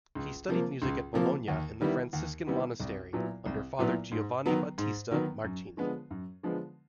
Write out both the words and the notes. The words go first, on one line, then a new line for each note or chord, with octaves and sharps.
He studied music at Bologna in the Franciscan Monastery, under Father Giovanni Battista Martini.
C#2
C3 F3 A#3
C#2
C3 F3 A#3
D#2
D#3 G3 B3 E4
D#2
D#3 G3 B3 E4
C2
A#2 F#3 B3 E4
C2
A#2 F#3 B3 E4
G#2
D#3 F#3 B3
G#2
D#3 F#3 B3
F#2
D3 F3 G#3 B3
F#2
D3 F3 G#3 B3